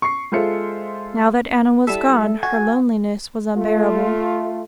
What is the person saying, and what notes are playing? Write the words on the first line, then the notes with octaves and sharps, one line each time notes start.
Now that Anna was gone, her loneliness was unbearable.
C#6 C7
G#3 F4 A4 C5 E5 C#7
G3 E4 A4 E5
F#4 G#5
A3 F4